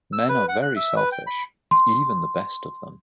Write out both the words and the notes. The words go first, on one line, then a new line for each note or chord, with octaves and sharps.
Men are very selfish, even the best of them.
E6
B4
F#5
F#6
E5
B4
G5
B5
C6